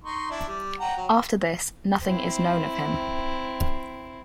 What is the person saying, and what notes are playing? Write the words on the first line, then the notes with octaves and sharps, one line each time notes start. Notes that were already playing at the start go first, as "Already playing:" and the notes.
After this nothing is known of him.
D#4 C6 C#6
D4 E4
G3
F#5 G5 A#5
F#3
C4 E4